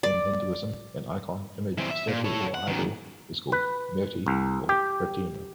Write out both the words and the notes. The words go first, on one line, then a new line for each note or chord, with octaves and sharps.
In Hinduism, an icon, image, statue or idol is called "Murti" or "Pratima".
D5
E3 C4
E5
A#2
A4 C#5
F#5
F#2 D#3
B4
C2
G4